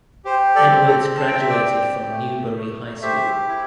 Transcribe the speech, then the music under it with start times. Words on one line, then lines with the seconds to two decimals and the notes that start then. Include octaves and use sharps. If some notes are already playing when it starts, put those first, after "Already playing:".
Edwards graduated from Newberry High School.
0.25 G4 C5
0.55 A4 D5
0.71 C4
0.86 A4
1.17 C4 A5
1.28 G5
1.40 E5
1.49 D5 G5
1.63 G4
2.10 A3
2.57 A3
3.02 G4 C5 E5
3.48 E4